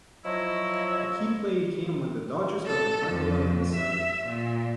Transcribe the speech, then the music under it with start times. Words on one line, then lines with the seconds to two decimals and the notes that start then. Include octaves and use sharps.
A key play came when the Dodgers got their final run in the seventh.
0.24 F3 F#3 E4 C#5 D#5
2.66 A4
3.08 F2
3.75 E5
4.27 A#2